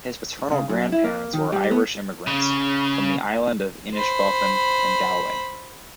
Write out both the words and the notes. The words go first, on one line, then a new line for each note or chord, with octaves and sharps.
His paternal grandparents were Irish immigrants, from the island of Inishbofin in Galway.
C#3
F#2
E4
A#3
D#3
G3
B3
C#3
C5 B5